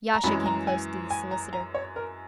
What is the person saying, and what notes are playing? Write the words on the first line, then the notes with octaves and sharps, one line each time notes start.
Yasha came close to the solicitor.
A#5
F#2 E3 G#3 C#4 B5
A#5
G#5
G#5
A#5
A#5
C#5
A#4